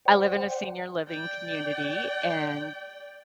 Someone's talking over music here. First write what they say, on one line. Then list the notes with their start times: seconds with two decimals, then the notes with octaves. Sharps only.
I live in a senior living community, and,
0.05 C5 D5 F#5 G5
1.08 D5 G5